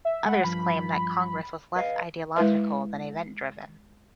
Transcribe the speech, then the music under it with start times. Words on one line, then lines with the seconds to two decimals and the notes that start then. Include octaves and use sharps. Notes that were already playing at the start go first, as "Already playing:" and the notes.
Others claim that Congress was less ideological than event driven.
0.05 E5
0.25 G#3 F#5 B5
0.44 G2 F3 B5
1.76 B4 D#5 F5
2.36 G#3 E4 B4 E5